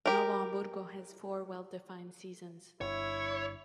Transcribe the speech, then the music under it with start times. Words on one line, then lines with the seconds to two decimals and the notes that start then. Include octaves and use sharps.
Novo Hamburgo has four well defined seasons.
0.06 G4 A#4
2.81 G1 E4 C#5